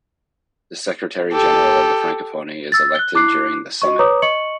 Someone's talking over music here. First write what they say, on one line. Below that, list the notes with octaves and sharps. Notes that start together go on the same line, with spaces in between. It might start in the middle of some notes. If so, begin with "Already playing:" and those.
The Secretary General of the Francophonie is elected during the Summit.
G4 A4
E6 A6
F#6 G7
E4 D6 F#6 C7
F#4 D#5 C#6
B4 C#5 A#5 D6 D#6
D#5 C#6 C#7 F#7